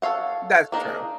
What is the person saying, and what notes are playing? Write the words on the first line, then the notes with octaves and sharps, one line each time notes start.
That's true.
A4 C#5 F5 F#5
A#3 D4 D#4 G#4